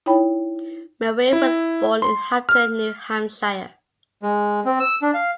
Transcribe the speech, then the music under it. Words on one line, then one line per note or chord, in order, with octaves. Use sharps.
Merrill was born in Hampton, New Hampshire.
D#4 E4 C#5 G5 B5
E4
C6
F6
G#3
C4
E6
D4
F5